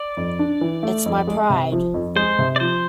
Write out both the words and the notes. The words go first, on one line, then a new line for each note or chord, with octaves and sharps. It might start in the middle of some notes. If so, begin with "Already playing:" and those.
It's my pride.
Already playing: D5
F2
D4
E3
A3
F2
G#3
C3
F3
F2
G#3 C5
C3
D5
F3 C5